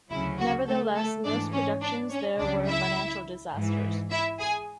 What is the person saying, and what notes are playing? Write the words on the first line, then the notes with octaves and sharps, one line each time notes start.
Nevertheless, most productions there were financial disasters.
D2 C#3 F#3 E4
F#4
A3 A4
A3 A4
G#2 E3 D4 D5
C#4 C#5
D4 D5
C#4 C#5
C#2 C#3 F#3 D4 D5
E4 E5
G#2 E3
E4 E5
G#4 G#5